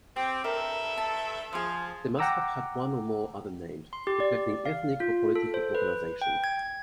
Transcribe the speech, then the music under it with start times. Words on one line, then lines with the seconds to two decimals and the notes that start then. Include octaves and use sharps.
They must have had one or more other names, reflecting ethnic or political organization.
0.16 C4 G4
0.44 G2 A4 A#4 E5
0.97 A5
1.53 F3 G#4 C5
2.19 F#5 G5 A#5 D6 E6
3.93 C6
4.07 G4
4.20 D5
4.65 F5
5.00 F4
5.36 A4
5.54 C5
5.75 B4
6.21 G5
6.44 G#6